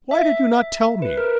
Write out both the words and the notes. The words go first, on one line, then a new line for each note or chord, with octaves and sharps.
"Why did you not tell me?"
E5
B4
A#4